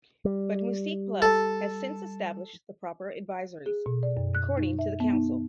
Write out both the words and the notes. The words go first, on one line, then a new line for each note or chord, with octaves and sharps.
But MusiquePlus has since established the proper advisories, according to the council.
G3
A4
G#4
B2
D5
F#2
F#6
D#4
E5
B3
D#4